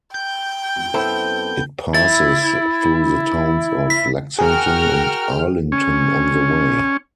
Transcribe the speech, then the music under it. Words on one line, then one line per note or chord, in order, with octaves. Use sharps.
It passes through the towns of Lexington and Arlington on the way.
G5 G6
F#2 B3 C4 E4 A4
E4 A6
B6
F#4 G#4 A#4 G5 F6
C#4